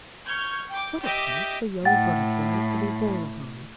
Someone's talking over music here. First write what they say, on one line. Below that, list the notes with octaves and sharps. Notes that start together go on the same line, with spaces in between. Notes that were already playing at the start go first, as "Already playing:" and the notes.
What a place for young Butterflies to be born upon!
C#6 F6 G6 G#6
G5 D6
G4 D#5 E5 D6
A2 F#5 G5 A6